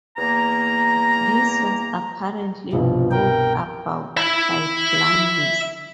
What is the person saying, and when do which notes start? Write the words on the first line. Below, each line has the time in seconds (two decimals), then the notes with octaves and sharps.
This was apparently brought about by blindness.
0.17 E2 A#3 A#5
2.72 C2 G2 B2 F3
3.11 A#4 G5
4.17 E5 B5